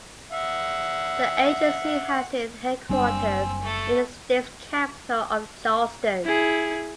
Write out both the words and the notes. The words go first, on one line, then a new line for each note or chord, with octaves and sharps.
The agency has its headquarters in the state's capital of Charleston.
E5 F#5
F#1 G3 C4 D4 G#5 E6
A3 A4
E4 G#4